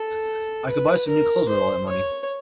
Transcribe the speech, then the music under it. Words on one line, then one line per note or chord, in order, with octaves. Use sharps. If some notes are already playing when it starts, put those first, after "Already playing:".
I could buy some new clothes with all that money.
Already playing: A4
B4
A#4
C5
C#5